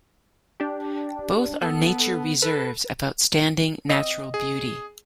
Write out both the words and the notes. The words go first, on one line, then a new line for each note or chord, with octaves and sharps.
Both are nature reserves of outstanding natural beauty.
D4 G4
B3 A4
A4 B4
C4 D#5
G#4